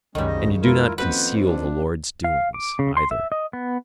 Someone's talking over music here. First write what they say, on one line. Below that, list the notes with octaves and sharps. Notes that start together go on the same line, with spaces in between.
And you do not conceal the Lord's doings, either.
C2 F#2 D#3 G3 G#3 C#4
D2 C#3 D#5
F2 G#3 E4 F4 A#4
F2 A#3 C#4 F#4 B4 C5 F#5
D4
F5
D6
C#3
C6
E5
D#5
B3